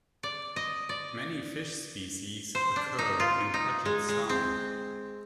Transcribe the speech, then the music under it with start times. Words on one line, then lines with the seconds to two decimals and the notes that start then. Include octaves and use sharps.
Many fish species occur in Puget Sound.
0.23 D5
0.56 D#5
0.89 D5
2.55 C5
2.76 D4
2.98 D#4
3.20 F4
3.54 D#4
3.85 G#3
4.09 G#3
4.29 C4